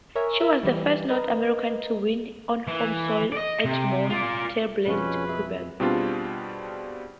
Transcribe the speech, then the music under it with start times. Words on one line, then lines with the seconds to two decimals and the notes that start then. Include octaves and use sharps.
She was the first North American to win on home soil at Mont-Tremblant, Quebec.
0.15 A#4 C#5 E5 G#5
0.40 A#4 E5
0.63 E3 G3
1.09 A#4 B4 D#5
2.67 E3
3.32 D5 D#5
3.65 C3
4.10 F4 D5
4.86 F2 G#2 B2 F3 G#3 C#4 B4
5.27 G#4 E5
5.80 B2 G3 C4 D4 F4 G#4